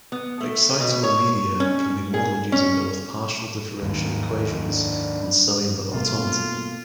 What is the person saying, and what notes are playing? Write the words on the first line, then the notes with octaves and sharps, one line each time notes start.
Excitable media can be modelled using both partial differential equations and cellular automata.
B3
A3
B2
C#5
C#4
G#4
C#4
D#2 G#2
D4
B2 A3 A#3 F4